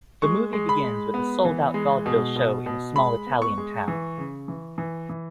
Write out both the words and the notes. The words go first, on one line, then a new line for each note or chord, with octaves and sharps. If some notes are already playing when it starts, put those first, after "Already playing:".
The movie begins with a sold-out vaudeville show in a small Italian town.
G#3 C#6
G#3
B5
G#3
B3
E3
G#3
B2
B2
B2
G#3 B5
B3
C#6
G#3
E3
C#3
E3
E3
E3